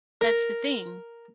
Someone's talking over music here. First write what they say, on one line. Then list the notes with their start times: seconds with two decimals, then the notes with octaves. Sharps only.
that's the thing.
0.21 A#4